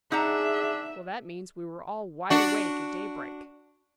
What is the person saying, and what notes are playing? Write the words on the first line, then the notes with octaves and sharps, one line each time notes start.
"Well, that means we were all wide awake at daybreak."
D4 D#4 G#4 E5 F#5 A#5
D4 F#4